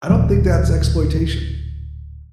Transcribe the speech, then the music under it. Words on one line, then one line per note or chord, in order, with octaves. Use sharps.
I don't think that's exploitation.
D1 A#2 F3 G3